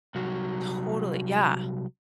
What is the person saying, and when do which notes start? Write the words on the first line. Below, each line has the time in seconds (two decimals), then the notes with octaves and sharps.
Totally yeah.
0.15 C2 F#3